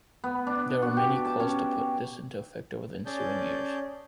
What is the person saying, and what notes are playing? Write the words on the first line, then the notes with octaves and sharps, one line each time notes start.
There were many calls to put this into effect over the ensuing years.
B3
D4
F#4
G4
A5
C#4
C#4 G#4 D5 A5 G6